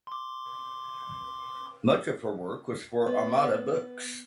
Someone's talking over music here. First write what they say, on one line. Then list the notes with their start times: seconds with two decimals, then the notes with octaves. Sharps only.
Much of her work was for Armada Books.
0.07 C6 D6
3.07 B3